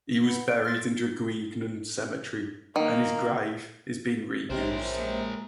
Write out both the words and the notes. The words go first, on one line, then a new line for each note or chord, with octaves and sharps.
He was buried in Draguignan cemetery and his grave has been re-used.
B3
D5 D7
F4 F6 A6
D#3 A#3
A#1 C3 C4 C#4 G4 A#4 C5 D#5
G#3 A#3 D#6